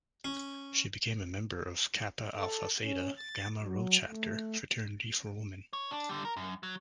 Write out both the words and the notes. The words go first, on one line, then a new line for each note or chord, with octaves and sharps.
She became a member of Kappa Alpha Theta, Gamma Rho chapter, fraternity for women.
C#4
A4
C#4
A6
F#3
A3
C#5
D4
D3 G3
A#4
F#2
F#3